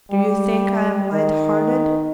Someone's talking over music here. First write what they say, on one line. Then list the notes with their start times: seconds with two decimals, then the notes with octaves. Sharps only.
Do you think I'm light-hearted?
0.11 G3
1.14 D#3